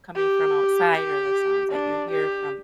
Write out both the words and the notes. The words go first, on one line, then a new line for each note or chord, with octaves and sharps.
coming from outside or the sounds that you hear from
G4
G4
D4
G4